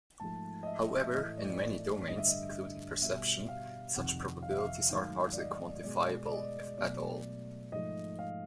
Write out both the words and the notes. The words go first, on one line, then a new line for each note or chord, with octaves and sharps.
However, in many domains, including perception, such probabilities are hardly quantifiable, if at all.
G#2 F3 A3 A5
D#5
E5
E5
A2 E3 A3 D#5
D5
G2 D3 G3 D#5
E5
D#5
B2 G3 E5
F5
F2 C3 D#3 F#5
F5
E5
F5
E5
G#2 D#3 F#3 A3 F5
D5
D#5
B2 G#3 D5
D5
D#5
B2 F#3 A3 D5
G#2 F3 A3 D#5
F5